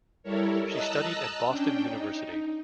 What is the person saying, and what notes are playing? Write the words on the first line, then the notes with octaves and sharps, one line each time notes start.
She studied at Boston University.
G3 E4 A4 A#4 C#5
D#5 A5 A#5 E6 F#6
C#4 D4 G5
D#4